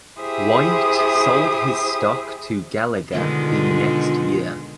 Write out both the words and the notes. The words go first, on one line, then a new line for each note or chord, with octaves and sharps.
White sold his stock to Gallagher the next year.
E4 G4 G#4 C5 E5 D#6
B2 D3 D#3 G#3 F4